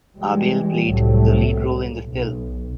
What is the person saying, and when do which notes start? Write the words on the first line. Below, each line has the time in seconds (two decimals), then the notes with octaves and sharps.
Aabel played the lead role in the film.
0.14 E3 G3 G#3
0.83 C2 A2 F#3 G3 A3
2.05 B1